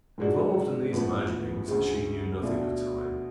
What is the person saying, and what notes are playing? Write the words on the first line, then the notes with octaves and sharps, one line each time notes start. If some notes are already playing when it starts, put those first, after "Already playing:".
Involved in these imaginings she knew nothing of time.
G#2 F3 G#3 D4 F#4
A1 A2 F3 B3
D2 C#3 G#3
B2 A3 D4 F4